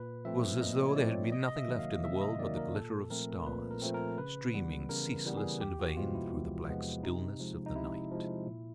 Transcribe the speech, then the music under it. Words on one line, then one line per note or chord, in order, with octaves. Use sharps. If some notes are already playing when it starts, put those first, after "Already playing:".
It was as though there had been nothing left in the world but the glitter of stars streaming, ceaseless and vain, through the black stillness of the night.
Already playing: A#2 B4
F3 A3 C4 E5
A#2 D#5
C#5
F3 A3 C4 D5
C3 D#5
D#5
E5
D#3 F#3 A#3
F5
C3 E5
D#5
D#3 F#3 A#3 D5
A#4
A#2 A4
F3 A3 C4 A#4
A#2 B4
A#4
F3 A3 C4
A#4
C#3 B4
E3 G3 B3
C#3 A#4
E3 G3 B3
G#4
E2 G4
F#4
C3 F3 G#3 B3 F4
E4
E2
C3 F3 G#3 B3
C3 D#4
F3 G#3
D#4
C3 E4
F3 G#3
A#2